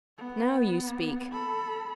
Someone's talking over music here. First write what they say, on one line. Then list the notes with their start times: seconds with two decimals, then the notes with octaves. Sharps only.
Now you speak.
0.18 B3
1.32 A4 B5